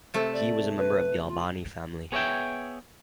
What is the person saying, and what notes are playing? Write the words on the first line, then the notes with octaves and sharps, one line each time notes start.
He was a member of the Albani family.
C3 A3 A5
D5
B4
F4
B3 G#4 C#5 D5 E5 G5